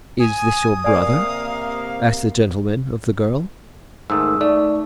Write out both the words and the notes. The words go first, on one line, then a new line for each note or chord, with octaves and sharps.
"Is this your brother?" asked the gentleman of the girl.
G#5 D#6
C3 A#3 D5 F5 G#5
G#2 D#3 A3 D#6 E6
A3 D#4 D5 C#6